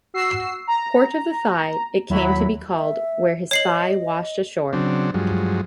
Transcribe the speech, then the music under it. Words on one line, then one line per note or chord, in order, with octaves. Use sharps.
"Port of the Thigh" it came to be called where his thigh washed ashore.
F#4 E6 C7
A#5
D#2 F#3 E4 B5
E5
C#5 D#5 C7 F#7
C#3 F#3 C4 D4
G2 F3 F#3 G#3